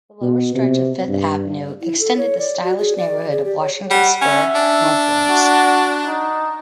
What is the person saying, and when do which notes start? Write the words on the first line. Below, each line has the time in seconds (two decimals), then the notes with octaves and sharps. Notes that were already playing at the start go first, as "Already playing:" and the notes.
The lower stretch of Fifth Avenue extended the stylish neighborhood of Washington Square northwards.
0.21 B2
0.55 C3
1.08 G2
1.82 E4
2.00 A4
2.17 C#5
2.38 D5
2.64 F#4
2.78 G#4
2.97 D5
3.32 G#4
3.45 G4
3.60 C#5
3.91 G3 F#5
4.22 C#4 E5
4.55 D4
5.30 F#4
6.05 D#4